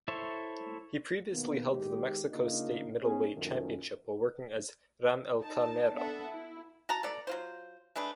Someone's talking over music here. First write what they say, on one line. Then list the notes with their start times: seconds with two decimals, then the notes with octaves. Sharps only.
He previously held the Mexico State Middleweight Championship while working as Ram el Carnero.
0.08 E4 A4 C5 C#5 E5
1.33 B2 D#3 A#3 B3
1.69 D#3 G#3 B3 G4
2.32 C#3 A#3 D4 D#4 F4
3.01 B3 C#4 G#4
3.35 F#2 A#2 D#3 F3 A3 C#4
5.42 D#4 A5
5.95 B3 D4 A4 E5 F#5
6.31 E4
6.89 F#4 A5 A#5
7.03 B3 A4 D5
7.27 F#3 F4 C5
7.96 G#3 A3 D4 B4